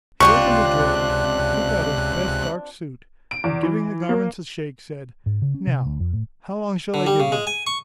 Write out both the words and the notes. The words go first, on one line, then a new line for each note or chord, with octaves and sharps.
He opened a drawer, took out his best dark suit, and giving the garments a shake, said, "Now, how long shall I give you?"
C#2 C3 C4 D4 F4 C#6 F#6
D7
E2
E3
A#3
G#2
C#3
C#4
C3
D2
F2
A2
D3
G3
C#3
G#3
G#5
C#6